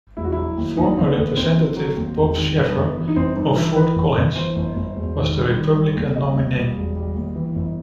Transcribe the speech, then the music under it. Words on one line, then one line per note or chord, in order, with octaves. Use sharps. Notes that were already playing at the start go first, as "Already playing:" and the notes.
Former Representative Bob Schaffer of Fort Collins was the Republican nominee.
E1 E4
F#4
F#3 E4
D#2
D#2 D#4
D#2 C4
B3
D#2
D#2 C4
F#3
F#3
D#2
E1
D#3
G2 B3
G1
E3
D#4
G1 C4
G2 D#4
E3 E4
E3 B4
G1
G1
E3 C5
G1
G1
E1
D#3
G3
D#3
G3
D#2
G3 D#5
D#2
G3
E1
G3
D#2
E3
G1